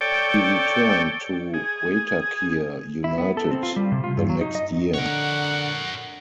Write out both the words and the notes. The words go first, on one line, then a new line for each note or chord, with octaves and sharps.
He returned to Waitakere United the next year.
A4 C#5 D5 G5
G#4
E4
B3
A4
C4
F4
G3
C3
F4
G2
F#3
D#4
D#5
D3 A#4 C#5 F#5